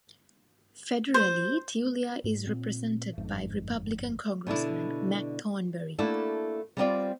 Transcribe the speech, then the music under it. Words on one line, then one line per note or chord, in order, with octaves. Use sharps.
Federally, Tulia is represented by Republican Congressman Mac Thornberry.
C5
G#2
A#2 C4
G1 F2 G#2
B2 D3 D4 E4
A3 A#3 D4 E4 F#4 A4
G3 B3 C4 D4 F4 D5